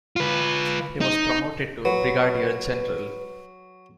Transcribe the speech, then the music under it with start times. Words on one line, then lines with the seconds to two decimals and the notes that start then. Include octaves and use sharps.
He was promoted to brigadier general.
0.16 F4 B4
1.01 D#4
1.85 F#3 B4